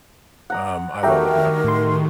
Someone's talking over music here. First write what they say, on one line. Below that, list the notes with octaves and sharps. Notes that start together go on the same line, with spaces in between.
Um, I love it though.
F#5 A#5 D#6
D#3 G3 A3 F#4 A#4 E5 G5 A#5
A2 C6